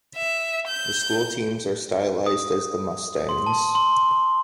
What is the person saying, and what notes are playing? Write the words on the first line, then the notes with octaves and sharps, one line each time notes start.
The school teams are stylized as the Mustangs.
E5
G6
D#6
C6
A5
C6